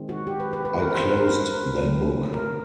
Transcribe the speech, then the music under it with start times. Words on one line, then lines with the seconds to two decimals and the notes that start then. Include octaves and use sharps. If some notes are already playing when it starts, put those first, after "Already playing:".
I closed that book.
Already playing: D#3 G#3 C4
0.09 F#4
0.27 G4
0.40 B4
0.53 B4
0.65 B4
0.78 A#4
0.91 C5
1.03 B4
1.17 A#4
1.30 B4
1.81 D3 F#3 A3 C4
2.33 A#4